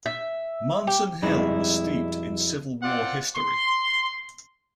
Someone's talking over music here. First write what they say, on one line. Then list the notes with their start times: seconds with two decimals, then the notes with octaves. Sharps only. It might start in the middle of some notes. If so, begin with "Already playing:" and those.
Munson Hill was steeped in Civil War history.
0.06 E5
0.87 G4
1.22 F2 B2 G3 G#3 D#4 E4
2.83 C4 F4 D5 F#5
3.36 C6